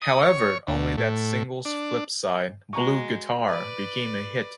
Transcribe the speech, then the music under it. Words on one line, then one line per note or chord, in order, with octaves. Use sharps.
However, only that single's flip side, "Blue Guitar", became a hit.
D#6
C#5
D2
A2
D4
G#3 F#4 A#5 C#6
B4 D5